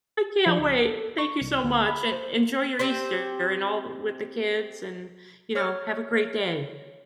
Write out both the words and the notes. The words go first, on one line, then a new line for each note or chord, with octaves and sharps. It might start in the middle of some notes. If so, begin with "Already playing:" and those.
can't wait. Thank you so much, and enjoy your Easter and all with the kids, and, you know, have a great day.
F3
C#2
A4
C#6
C2
D2
B5
C5
C4 G4 C5
C#5 F6